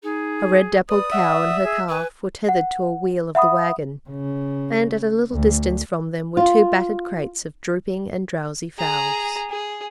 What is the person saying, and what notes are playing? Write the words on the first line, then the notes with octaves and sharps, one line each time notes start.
A red-dappled cow and her calf were tethered to a wheel of the wagon, and at a little distance from them were two battered crates of drooping and drowsy fowls.
D#4 G#4
B4 D5 D#6
E5 F#5
G#4 E6
B4 G#5
F#5
E5 F#5 B5 D#6
C#3
D2
F4
G#4 A#5
G#4